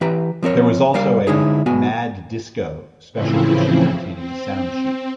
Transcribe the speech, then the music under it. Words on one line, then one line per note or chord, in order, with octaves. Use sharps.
There was also a "Mad Disco" special issue containing a Soundsheet.
E3 G4 B4 A#5
F3 C4 A#4 C#5
C2 G3 A#4 D5 F5
D3 G#3 D#4 E4 G#4 C#5
B1 B3 F#4 G#5
A2 C#3 E3 F3 C4 E4
C4